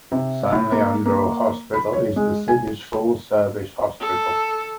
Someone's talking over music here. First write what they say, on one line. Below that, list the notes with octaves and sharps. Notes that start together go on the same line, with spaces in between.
San Leandro Hospital is the city's full service hospital.
C3
A2
A#3
A#3
B5
C#5
G#3
G#5
A4